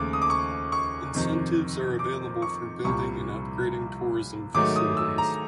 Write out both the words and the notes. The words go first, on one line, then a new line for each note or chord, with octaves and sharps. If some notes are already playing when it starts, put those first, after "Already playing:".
Incentives are available for building and upgrading tourism facilities.
Already playing: D#2 C#3 F3 A3 D6
D#6
D6
C#6
C#6
F2 C3 D#3
D6
C#6
C2 A#2 G3 C#6
G#2 D#3 F#3 A3 D6
D#6
E6
A#5